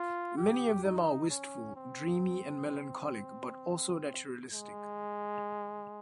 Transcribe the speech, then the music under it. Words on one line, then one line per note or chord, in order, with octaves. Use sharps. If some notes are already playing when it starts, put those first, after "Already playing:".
Many of them are wistful, dreamy and melancholic but also naturalistic.
Already playing: F4
G4
D#4
C#4
C4
G#3